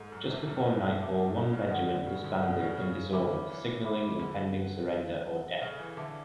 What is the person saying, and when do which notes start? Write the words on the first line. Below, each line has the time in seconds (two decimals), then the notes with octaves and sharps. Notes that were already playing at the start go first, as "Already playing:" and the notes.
Just before nightfall one regiment disbanded in disorder signalling impending surrender or death.
Already playing: G#2 A4
0.12 F#2
0.29 E2 C#5 E5 A5 D6
0.48 F#2
0.64 B2 A4
1.00 C#5 E5 A5 D6
1.35 B2 F#4
1.53 C#3
1.71 D3 A4 D5 F#5
1.88 D3
2.06 C#3 F#4
2.24 D3
2.42 B2 A4 D5 F#5
2.60 C#3
2.78 C#3 C#5
3.13 D3 E5 B5 D6
3.49 E3 C#5
3.85 E5 B5 D6
4.19 D3 G#4
4.55 B4 F#5
4.91 G#4
5.26 B4 F#5
5.61 C#3 A4
5.79 E3
5.97 D3 E5 A5 D6